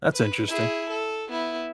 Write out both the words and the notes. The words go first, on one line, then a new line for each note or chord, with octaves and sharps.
That's interesting.
B4
E4 G#4
A4
B3 E4